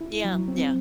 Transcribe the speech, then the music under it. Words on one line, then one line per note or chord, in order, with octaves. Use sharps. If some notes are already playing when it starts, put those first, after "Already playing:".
Yeah, yeah,
E4
F#3
C4